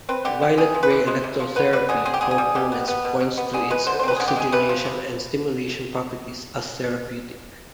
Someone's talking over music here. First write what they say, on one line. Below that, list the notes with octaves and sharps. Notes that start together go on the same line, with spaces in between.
Violet ray electrotherapy proponents point to its oxygenation and stimulation properties as therapeutic.
C4 B4
D3 G4
F3 G4
C3 G#4
F3
B4
C3
G#3 C5
C3
F3
D3 B4
G3 B4
D3 G#4
C4 G#4
G4
D3 G#4
G#4
G3
B2 G4
B3
B3
B2
B2
B3
D3 G#4
G#3 B4
D3 C5
C5
C4 B4
D3 G#4
G4
G#3 G#4
C3 B4
F3
C3